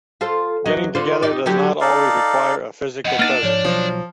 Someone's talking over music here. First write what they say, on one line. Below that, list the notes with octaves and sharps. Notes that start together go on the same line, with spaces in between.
Getting together does not always require a physical presence.
F4 A4 C5
E2 F#3 D#5
D3 F4 C5
G3 D#4 D5
D3 F#3 G4
D#4 A4 D5 F5
F2 B3 D#5 F#5
A#3 B3 D4 D#4 F6 A6
G#2 F3 C#5 D5
B1 F3 F#3